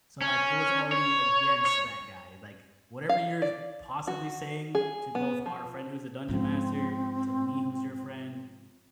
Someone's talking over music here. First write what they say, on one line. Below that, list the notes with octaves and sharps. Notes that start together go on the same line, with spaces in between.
So, like, it was already against that guy, like, "Whatever you're possibly saying to both our friend who's a dungeon master, to me who's your friend,
C#4
C#5
C#5
F5
D5
F#4
G#4
B3
F3
G#2 F3 C4